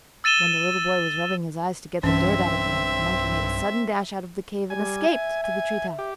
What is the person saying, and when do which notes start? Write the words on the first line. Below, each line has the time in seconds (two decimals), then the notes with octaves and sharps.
When the little boy was rubbing his eyes to get the dirt out of them the monkey made a sudden dash out of the cave and escaped to the tree tops.
0.24 E6 A6 D#7 E7 G7
2.03 B1 G2 E3 C4 C#4 E5
4.70 G3 G#5
5.09 E5
5.44 G#5
5.99 G4